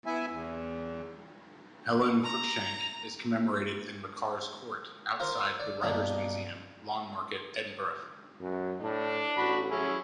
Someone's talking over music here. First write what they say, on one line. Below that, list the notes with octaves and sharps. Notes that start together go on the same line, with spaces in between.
Helen Cruickshank is commemorated in Makars' Court, outside The Writers' Museum, Lawnmarket, Edinburgh.
B3 E4 E5 G#5
E2
A#5
F4 A#4 C5
D5
G2 B2 A#3 D4
F#2
A2 D4
A1 F#4 B5
F#3 C#4 E4 G#4